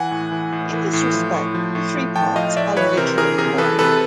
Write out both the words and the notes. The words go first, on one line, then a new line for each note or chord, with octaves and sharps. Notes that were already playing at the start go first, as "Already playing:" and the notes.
In this respect, the three parts are literally one.
Already playing: E3 F#5 G#5
A2
E3
A2
E3
A2
F3
A2
F3
A2
F3
A2 G5 A5
F3 D#5 F5
A2 D5 E5
E3 B4 C#5
C3 A#4 C5
E3 G#4 A#4
C3 G#4 A#4
E3 A4 B4
C3 A4 B4